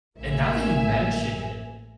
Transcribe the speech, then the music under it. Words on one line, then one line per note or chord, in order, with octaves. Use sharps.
And now that you mentioned it,
A1 A#3 E5 G#5